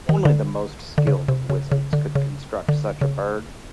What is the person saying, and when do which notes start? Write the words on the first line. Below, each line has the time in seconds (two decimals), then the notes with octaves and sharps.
Only the most skilled of wizards could construct such a bird.
0.09 D#3
0.25 D3
0.98 D3
1.07 C#3
1.28 C3
1.50 C#3
1.72 C#3
1.93 D3
2.15 C#3
2.69 D3
3.01 C#3